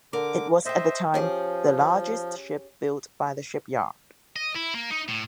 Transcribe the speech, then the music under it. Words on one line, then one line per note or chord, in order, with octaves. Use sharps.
It was at the time the largest ship built by the shipyard.
D3 A#4 D6
A4 C5 D#5 E5 G5
F3 C#4 G4 G#4
D#5
E4
A#3
D#4
A2